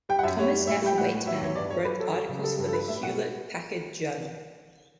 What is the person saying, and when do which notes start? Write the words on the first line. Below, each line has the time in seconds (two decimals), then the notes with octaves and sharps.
Thomas F. Waitman wrote articles for the "Hewlett-Packard Journal".
0.09 G3 G5
0.19 F#5
0.23 F#2 E5
0.39 G3 C#5
0.54 G3
0.67 A2 E5
0.82 G3 G5
0.98 A2 F#5
1.12 A2
1.26 F#3 E5
1.41 E2 C#5
1.55 G2 D5
1.70 F#3 C#5
1.85 F#3 B4
1.99 F#3 A4
2.14 F#3 A4
2.29 C#3
2.44 G3 A4
2.58 G2
2.68 A4
2.73 G3 B4
2.87 A2 E5
3.02 B2 F#5